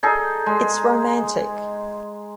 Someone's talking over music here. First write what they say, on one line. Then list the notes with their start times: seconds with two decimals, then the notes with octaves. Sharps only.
It’s romantic.
0.03 D#4 G#4 A4
0.46 G#3